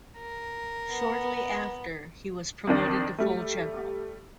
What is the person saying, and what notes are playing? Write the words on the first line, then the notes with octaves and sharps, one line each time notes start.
Shortly after he was promoted to full general.
A#4
B3
F2 D#3 D4
G3 A3